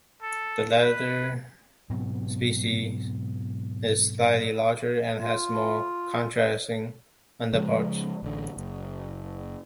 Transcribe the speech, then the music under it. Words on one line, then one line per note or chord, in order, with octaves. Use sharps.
The latter species is slightly larger, and has more contrasting underparts.
A4
B4
G#2 B2 F#3 C4
F4
C#3 F3 F#3 G#3
A1 D3
F#1